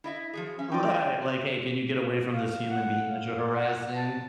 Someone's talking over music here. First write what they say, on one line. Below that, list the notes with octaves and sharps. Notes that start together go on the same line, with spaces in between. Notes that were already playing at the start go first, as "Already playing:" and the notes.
Right, like, "Hey, can you get away from this human being that you're harassing?"
E4 D#5 E5
F3 F#3 G#4
C#4 E5
D#4 D5 G5
F5
F#5
F5
F#5
A5